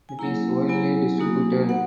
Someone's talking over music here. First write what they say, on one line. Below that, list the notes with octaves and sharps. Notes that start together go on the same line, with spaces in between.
It is widely distributed.
G#5
F#3 A#3 E4 A#5
F#3 B3 E4 G#5
F#3 A#3 D#4 F#4
B3 F#5